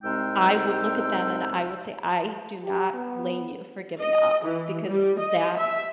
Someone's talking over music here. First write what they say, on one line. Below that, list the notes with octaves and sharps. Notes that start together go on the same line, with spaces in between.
I would look at them and I would say, "I do not blame you for giving up, because that
C2 G#3 C4 D#4 G5 E6
G4
B3
D#5
E3
G3
D#5
E5